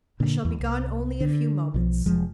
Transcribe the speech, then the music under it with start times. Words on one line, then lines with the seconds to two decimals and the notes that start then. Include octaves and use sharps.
"I shall be gone only a few moments."
0.20 A#2 D3
0.45 E2
0.60 C2
1.21 D3
1.74 B1 E3 F3
2.06 F1 F3 G#3